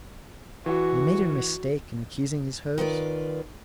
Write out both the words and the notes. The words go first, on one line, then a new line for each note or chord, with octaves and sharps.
Had he made a mistake in accusing his host?
E3 F#4
D#3 F4 B4 D5